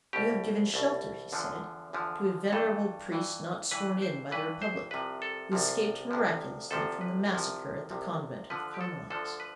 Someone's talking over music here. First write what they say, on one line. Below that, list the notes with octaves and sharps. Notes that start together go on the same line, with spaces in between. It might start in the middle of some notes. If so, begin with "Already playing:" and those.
"You have given shelter," he said, "to a venerable priest not sworn in by the Republic, who escaped miraculously from the massacre at the Convent of the Carmelites."
C2 B2 G4
C2 B2
E2 D3 F3
E2 D3 F3
G2 E3 A4
G2 E3
G2 E3 B4
C5
G2 E3 B4
C5
C2 C3 F3 B4
A4
C2 C3 F3
D2 C3 F3
D2 C3 F3 A4
B4
C2 C3 F3
C2 C3 F3
D2 D3 F3 B4
G4
A4
D2 D3 F3 A4
B4